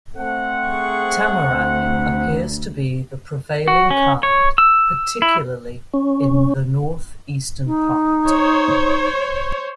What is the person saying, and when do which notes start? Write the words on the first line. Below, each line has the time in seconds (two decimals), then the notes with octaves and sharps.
Tamarack appears to be the prevailing kind, particularly in the North-eastern part.
0.16 A3 C4 F#5
0.69 G#4 C#6
1.48 D2
3.68 F#4
3.91 C#4
4.23 C#5
4.58 E6
5.22 E4
5.94 C#4
7.66 D#4
8.26 C5 C#5